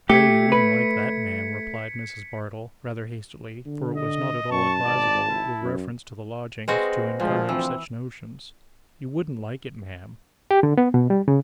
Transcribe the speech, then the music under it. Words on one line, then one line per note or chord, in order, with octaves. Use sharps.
'Oh, you wouldn't like that, ma'am,' replied Mrs. Bardell, rather hastily; for it was not at all advisable, with reference to the lodgings, to encourage such notions; 'you wouldn't like it, ma'am.'
A3 G4 G#6 B6 C#7
B4
D3
D#5
F#2 A5 C#6
G#1 D5
E4
F#2
G#3 C4 F#4 G#4 B4 C5 A#6
D2 A#2 F3 G#3
E3 C4 E6
G4
D3
B3
B2
G3
C#3